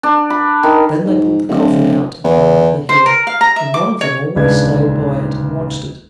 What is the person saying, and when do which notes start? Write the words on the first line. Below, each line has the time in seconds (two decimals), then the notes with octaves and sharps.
Then they put the coffin out upon the hill, and one of them always stayed by it and watched it.
0.03 D4
0.30 B5
0.63 D#3
1.05 G#2
1.49 D1
2.24 E2
2.89 C5
3.06 A#4
3.27 F5
3.41 A#5
3.56 E5
3.74 D6
4.01 C#5
4.35 D#1 C#2 C#3 D4 B4 G#6